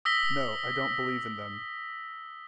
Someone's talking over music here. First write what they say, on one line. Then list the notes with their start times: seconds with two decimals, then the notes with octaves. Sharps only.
No, I don't believe in them.
0.05 D#6 E6 A#6 B6 G7